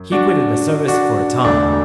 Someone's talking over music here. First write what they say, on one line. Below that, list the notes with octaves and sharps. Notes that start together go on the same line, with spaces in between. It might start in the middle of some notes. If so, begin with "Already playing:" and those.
"He quitted the service for a time."
Already playing: F#2
D4 F#4
D4 F#4
E1 D2 D3 A3 D4